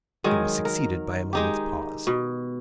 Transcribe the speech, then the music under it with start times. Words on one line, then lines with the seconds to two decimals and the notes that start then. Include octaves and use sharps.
It was succeeded by a moment's pause.
0.24 D#3 F#3 G#3
0.65 A#4
1.33 G#3 D#4 G4
2.07 B2